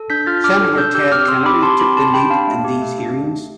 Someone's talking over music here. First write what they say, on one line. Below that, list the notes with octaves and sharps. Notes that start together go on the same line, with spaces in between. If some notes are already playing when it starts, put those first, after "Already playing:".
Senator Ted Kennedy took the lead in these hearings.
Already playing: A4
D4 G6 B6
F4 F6 A6
D4 D6 F6
A4
D4 E6 G6
G4 E6 G6
C4 D6 F6
C4 C6 E6
G4 B5 D6
G4 A5 C6
C4 B5 D6
C4 A5 C6
G4 G5 B5
D4 F5 A5
A3
G4
A3
D4
A3
G4